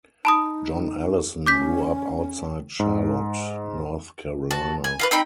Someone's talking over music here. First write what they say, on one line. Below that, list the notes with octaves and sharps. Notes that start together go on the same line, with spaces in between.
John Allison grew up outside Charlotte, North Carolina.
D#4 A5 B5 D#6
C#4 D6 G6 B6
G#2
F#4 A5
G#5
F4 A#4 B4
C4 D#4 G5 B5